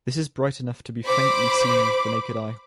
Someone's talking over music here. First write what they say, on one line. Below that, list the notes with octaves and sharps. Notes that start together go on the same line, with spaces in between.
This is bright enough to be faintly seen with the naked eye.
C5 B5 D6